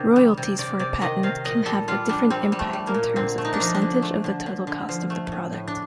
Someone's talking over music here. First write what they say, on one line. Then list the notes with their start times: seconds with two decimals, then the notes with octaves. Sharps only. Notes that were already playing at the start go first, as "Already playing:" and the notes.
Royalties for a patent can have a different impact in terms of percentage of the total cost of the product.
Already playing: C3 D#3 D4
0.16 G3
0.37 C3
0.58 C3 D5
0.79 C3 D5
1.01 D#3 D#5
1.23 C3 F5
1.44 A#2 D#5
1.66 G3 A4
1.88 G3 F4
2.09 G3 D4
2.30 G3 C4
2.52 G3
2.59 A3
2.73 G3
2.87 A#3
2.94 A#2
3.16 D3 C4
3.38 A3
3.45 D#4
3.54 D4
3.60 F3 D#4
3.74 D4
3.82 D3
4.02 A3
4.24 D3
4.46 D3
4.67 D3
4.89 F3
5.10 A3
5.32 A2
5.53 A2
5.68 D4